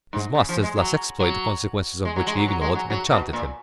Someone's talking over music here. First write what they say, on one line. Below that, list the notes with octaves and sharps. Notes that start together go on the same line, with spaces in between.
His master's last exploit, the consequences of which he ignored, enchanted him.
G#2
C#3
F3
G#3
F#3
F#3
G#3
F#3
G#3
F#3
F#3
G#3
F#3
F#3
B2
A#2